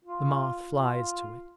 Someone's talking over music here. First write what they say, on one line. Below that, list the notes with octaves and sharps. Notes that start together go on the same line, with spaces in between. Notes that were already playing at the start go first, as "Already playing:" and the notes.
The moth flies to it.
F4
F4